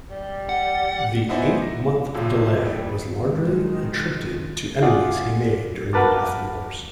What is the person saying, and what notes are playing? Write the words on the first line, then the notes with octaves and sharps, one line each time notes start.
The eight-month delay was largely attributed to enemies he made during the Math Wars.
G3
F#5
B3 D#4 E4 C5 D5 G#5
A#6
D#1 G#1 F3 E6
D#2 G3
D#3 G#3
F4 F#4 G#4 D5
F#4 A#4 B4 A5 D6